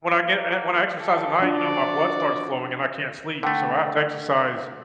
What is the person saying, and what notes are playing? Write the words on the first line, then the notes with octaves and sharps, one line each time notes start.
When I get uh, when I exercise at night, you know, my blood starts flowing and I can't sleep, so, I have to exercise
A#3
C#4 G4 A4
F3 D4 F#4 D5
D3 A3 G5